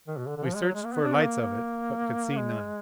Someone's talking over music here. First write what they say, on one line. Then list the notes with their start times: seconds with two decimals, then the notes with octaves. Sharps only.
We searched for lights of it, but could see none.
0.08 D#3
0.18 B2
0.27 D3
0.37 D3
0.46 F3
0.55 G#3
0.65 F#3
0.75 G#3
0.84 A#3
0.94 B3
1.03 D4
1.13 B3
1.22 A#3
1.41 A#3
2.37 G#3